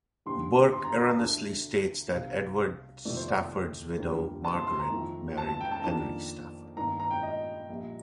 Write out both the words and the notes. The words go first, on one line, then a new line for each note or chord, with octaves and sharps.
Burke erroneously states that Edward Stafford's widow, Margaret, married Henry Stafford.
D#2 D3 G3 C6
C6
A#5
A#5
A5
D2 D3 A3 D4
C2 C3 G3 D4 F5
F2 C3 D#3 A3 C4 D5
C5
D5
F2 D3 G3 A#3
A5
C6
C6
A#5
F2 D#3 A3
A5
A5
G5
A5
F2 D#3 A#3 D4 A5
G2 D#3 A#3 D4 A#5
A#5
G5
D#5
A#1 A#2 G3